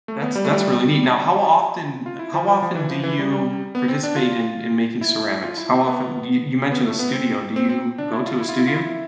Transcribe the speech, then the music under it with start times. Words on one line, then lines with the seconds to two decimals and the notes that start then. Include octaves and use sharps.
That's that's really neat. Now, how often uh, how often do you participate in in making ceramics? How often do you you mentioned a studio. Do you go to a studio?
0.08 A3
0.22 B3
0.35 G3
0.45 A3
0.53 G3
2.06 F4
2.19 E4
2.34 F3
2.48 F3
2.62 F3
2.75 E3
2.90 F3
3.03 E3
3.19 G3
3.32 G3
3.75 B3
3.88 C4
4.03 D4
4.16 F4
5.01 E4
5.44 F4
5.57 E4
5.72 C4
5.87 B3
6.71 B3
6.85 A3
6.99 B3
7.13 C4
7.56 C4
7.69 C4
7.98 D4
8.12 E4
8.26 F4
8.40 E4
8.49 F4
8.59 E4
8.67 F4
8.76 E4